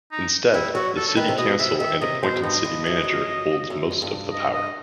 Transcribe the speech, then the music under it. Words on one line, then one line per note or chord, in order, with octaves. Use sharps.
Instead, the city council and appointed city manager holds most of the power.
D#4
G3 E4
F#3 F#4
A4
A4
D#3 B4
C3
B2 D#5
C3 E5
D#3 E5
C3 D#5
B2 C5
F#2
G2 D#5
G2
F#2
F#2
F#2
F#2
G2
D#5
D#5